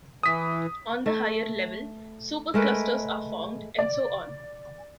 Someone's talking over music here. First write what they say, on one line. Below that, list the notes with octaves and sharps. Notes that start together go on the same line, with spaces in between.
On the higher level, superclusters are formed, and so on.
E3 D#6 B6
A3
G#3 A3 A#4 B4
D5